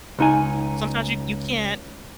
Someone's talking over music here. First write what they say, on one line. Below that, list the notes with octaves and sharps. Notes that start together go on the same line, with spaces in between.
Sometimes you you can't
C#2 D#4 G#5